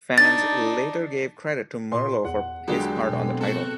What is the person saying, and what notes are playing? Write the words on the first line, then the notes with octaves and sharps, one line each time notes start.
Fans later gave credit to Merlo for his part on the title.
D4 D#4 A6
A#2 C6
E2 F#5
D3 F#3 G#3 A#3 G4 A4
B2 B3 C4
A3 F#4 A4